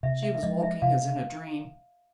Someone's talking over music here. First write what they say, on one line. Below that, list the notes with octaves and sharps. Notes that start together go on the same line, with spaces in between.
She was walking as in a dream.
C3 E5
E5
E5
F3 G#3 D#5
E5
C3 F5